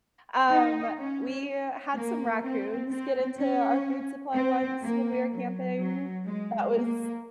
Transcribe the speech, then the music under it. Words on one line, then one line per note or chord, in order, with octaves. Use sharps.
Um, we had some raccoons get into our food supply once when we were camping. That was
D#4
C#4
A#3
C4
C4
C#4
C4
A#3
F#3
F#3
G#3
A#3